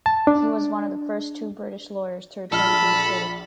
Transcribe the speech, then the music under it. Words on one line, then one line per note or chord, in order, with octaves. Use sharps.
He was one of first two British lawyers to return to the city.
A5
D4
A#1 A4 B5 F6